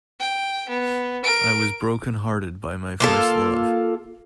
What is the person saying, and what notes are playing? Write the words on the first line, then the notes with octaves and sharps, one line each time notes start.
I was broken hearted by my first love.
G5
B3
A#4 D7
A#3 F4 A4